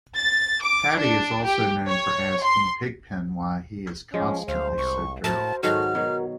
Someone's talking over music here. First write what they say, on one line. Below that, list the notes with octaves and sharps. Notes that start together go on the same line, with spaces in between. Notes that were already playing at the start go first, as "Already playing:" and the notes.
Patty is also known for asking "Pig-Pen" why he is constantly so dirty.
A6
D6
D4
G4
C#5
C6
F3 G#3 C#4
D2 C5 F5
C2 C#6
A2 F#4 A#4 C5 E5 A5
G#2 D#3 F#3 F#4 A4 F6
B2 F#3 A#4